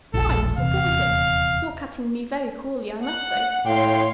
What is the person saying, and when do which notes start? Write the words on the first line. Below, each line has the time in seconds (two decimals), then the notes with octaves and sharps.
'Why, Mr. Thornton you're cutting me very coolly, I must say.
0.14 E1 A#1 A4
0.57 D#1 E2 C3 F5
3.04 F#5 F#6
3.66 A2 C#5 F5 G5 C6